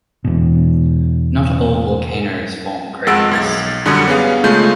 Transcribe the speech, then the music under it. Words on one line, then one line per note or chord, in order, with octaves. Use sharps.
Not all volcanoes form craters.
E2 B2
F2 G#3 F#5 E6 A6 D7
B1 G#6 A6
F#2 D3 G3 F#4 D#6 C#7
B3 C#4 G#4 F5
C#3 G#3 A3 F4 G6